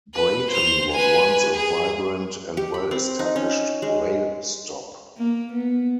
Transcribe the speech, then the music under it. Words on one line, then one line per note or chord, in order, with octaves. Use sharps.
Breyten was once a vibrant and well established rail stop.
B4
C5 F7
B4 G#5
G#4
G4
B5
C4
D#4
C#4
G#3
A#3
B3